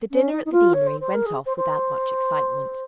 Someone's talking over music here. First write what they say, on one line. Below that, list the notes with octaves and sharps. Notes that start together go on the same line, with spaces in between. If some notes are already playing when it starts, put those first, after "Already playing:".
The dinner at the deanery went off without much excitement.
C#4
D#4
D#4
F4
C#5
C5
C5
A#4
G#4
C5
C5